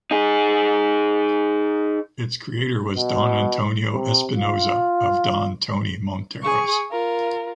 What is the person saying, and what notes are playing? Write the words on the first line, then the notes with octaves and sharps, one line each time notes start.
Its creator was Don Antonio Espinoza of “Don Tony” Monteros.
D#4 G#4
B2
C3
F4
G#4 C#6
F4 A#4